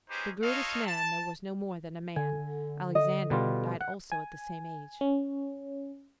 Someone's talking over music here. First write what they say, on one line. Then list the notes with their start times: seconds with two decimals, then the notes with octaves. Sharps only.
The greatest man, that was no more than a man, Alexander, died also at the same age.
0.10 C#4 D#4 G4 G#4 B4 C5
0.43 D#4 F4 A4 C#5 D#5 F5
0.86 A5
2.16 D3 G#5
2.95 D#5
3.30 B2 G3 F4
3.81 F#5
4.12 G#5
5.01 C#4